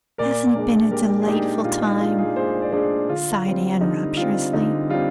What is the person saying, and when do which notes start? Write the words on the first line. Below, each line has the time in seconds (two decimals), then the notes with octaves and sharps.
"Hasn't it been a delightful time?" sighed Anne rapturously.
0.18 A#2 A#4 D5
0.55 G#3 D4
0.91 A#2 G4 A#4
1.22 G#4
1.27 G#3 D4 D#4 G4
1.64 A#2 F4
1.82 D#4
2.00 G#3 D4 F4
2.18 F4 G#4
2.36 A#2 G#4 C5
2.62 D5
2.72 G#3 D4 G#4 C5
3.09 D3 F4
3.45 G3 C4
3.81 D3 D#4
4.17 G3 C4 F4
4.53 D3 D#4
4.90 G3 C4 F4